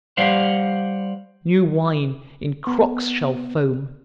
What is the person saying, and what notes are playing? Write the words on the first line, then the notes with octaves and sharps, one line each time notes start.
New wine, in crocks Shall foam!
G3 C5 D5 F5 F#5
B3